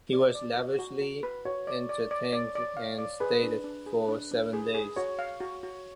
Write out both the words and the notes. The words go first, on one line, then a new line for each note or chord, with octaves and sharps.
He was lavishly entertained and stayed for seven days.
D5
D5
F#4
F#4
F#4
B4
F#4 C#5
D5
D5
D5
D5
D5
F5
D5
G#4 B4
D4
D4
G#4
D4
D4
G#4
G#4
F#4 C#5
F5
F#4
F#4